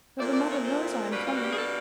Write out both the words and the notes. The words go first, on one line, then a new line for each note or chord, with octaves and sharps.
But my mother knows I am coming?'
A#2 F3 A3 C4 D5
D5
C#5
C5
B2 G3 A#3 D4 B4
F4
F#4
G4
G#4
A4